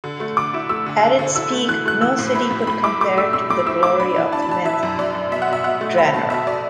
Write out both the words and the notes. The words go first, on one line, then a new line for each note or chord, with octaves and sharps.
At its peak, no city could compare to the glory of Myth Drannor.
D3
A3
D3 D6
E4
A3 E6
D3
D3
D3
E4 E6
A3
E3 F#6
A3 F#6
E3 E6
A2
E4 B5
A2
A2 B5
E4 D6
A3 D6
A3 E6
A2 E6
A2 D6
E4 E6
E4 D6
D4 B5
E3
D4 A5
B5
D4 A5
E3 E5
F#2
F#2 D5
F#2
B2 E5
F#5
B2
E5
B2 F#5
A3
B2 B5
B2 A5
B2 E5
B2 D5